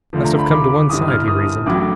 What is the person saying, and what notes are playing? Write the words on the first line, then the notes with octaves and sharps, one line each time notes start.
"Must have come to one side," he reasoned.
D2 D3 F3
A#5
B5
D6
G1 G2 E3 D#6
F6
D#6
A1 A2 F#3 D6